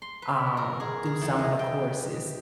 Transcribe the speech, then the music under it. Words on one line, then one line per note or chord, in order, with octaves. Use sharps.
um, do some of the courses.
C6
B4
A#4
G#4
G#4
E2
D#5
G5